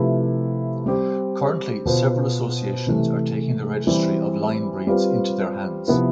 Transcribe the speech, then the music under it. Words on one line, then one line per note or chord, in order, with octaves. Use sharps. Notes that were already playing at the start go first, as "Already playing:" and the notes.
Currently several associations are taking the registry of the line breeds into their hands.
Already playing: C3 F3 A3 E4 B4
G3 C4 G4
B2 B3 F4 C5
C3 E3 A3
E3 G3 C4 E4 G4
G3 C4 F4 B4
C3 F3 B3 E4 B4